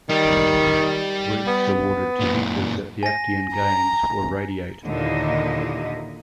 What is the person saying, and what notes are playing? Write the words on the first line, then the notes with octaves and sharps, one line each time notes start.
Wreaths awarded to victors at the Actian Games were radiate.
D#3 G3 G4
B3
F#2 A#2
G#5 A#6
A#5
D#2 A#2 D3 D#4 E4 D#5